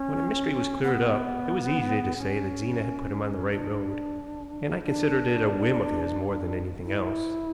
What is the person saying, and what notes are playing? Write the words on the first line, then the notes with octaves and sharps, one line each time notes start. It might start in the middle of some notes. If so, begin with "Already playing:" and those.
When a mystery was cleared up, it was easy to say that Zena had put him on the right road, and I considered it a whim of his more than anything else.
Already playing: C#4
B3
C#4
D4
D4
E4